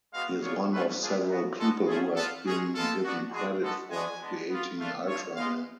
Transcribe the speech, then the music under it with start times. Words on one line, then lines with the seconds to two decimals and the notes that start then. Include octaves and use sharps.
He is one of several people who have been given credit for creating Ultraman.
0.13 G#3 B3 F#4 F5
0.42 B3 D4 F4 C#5
0.71 A3 C#4 F4 B4
1.01 B3 D4 F4 G#4
1.30 B3 F#4
1.58 G#3 B3 F#4 A4
1.87 A3 C#4 F4 G#4
2.16 B3 F4 A4
2.45 G#3 C#4 F#4 G#4
2.75 G#3 B3 F4 A4
3.04 B3 D4 F#4
3.33 G#3 D4 F#4 G#4
3.62 G#3 B3 F#4 A4
3.91 G#3 B3 D4 F#4 G#5
4.20 G#3 B3 D4
4.49 B3 F4
4.79 A3 D4 F4
5.08 A3 F4 C#5
5.36 G#3 B3 F4 F5